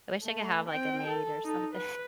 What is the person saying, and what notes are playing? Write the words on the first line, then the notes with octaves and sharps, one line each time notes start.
I wish I could have, like, a maid or something.
A3
C4 G5
A4
D#4 A4
B4